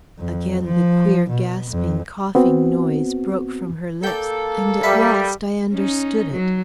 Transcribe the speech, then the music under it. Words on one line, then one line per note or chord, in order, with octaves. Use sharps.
Again the queer gasping coughing noise broke from her lips, and at last I understood it.
F2
F3
B2
F2
B3 C4 F#4
A#3 A4 D5 G5
G3 B4 E5 A5
C#4 D#4
F#3